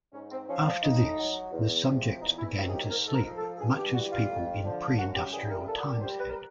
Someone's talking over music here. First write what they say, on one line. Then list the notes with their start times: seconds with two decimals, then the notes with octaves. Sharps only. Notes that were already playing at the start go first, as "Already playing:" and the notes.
After this the subjects began to sleep much as people in pre-industrial times had.
0.13 G#2 C#4
0.31 C4
0.49 F3 C#4
0.66 D4
0.82 A2 D#4
1.17 F#3
1.52 E2
1.86 C3 F3
2.21 E2 D#4
2.39 E4
2.56 C3 D#3 F#3 F4
2.68 G#4
2.73 G4
2.90 G#2 A#4
3.07 A4
3.14 A#4
3.25 F3
3.37 A4
3.59 G2 G#4
3.77 G4
3.94 E3 G3 F#4
4.11 F4
4.29 F2
4.63 D3 F3
4.98 F#2 F#4
5.15 G4
5.33 C#3 E3 G3 G#4
5.46 A4
5.50 A#4
5.68 A#2 A4
5.80 F#4
5.85 G4
6.02 G3 C5
6.19 B4
6.30 A#4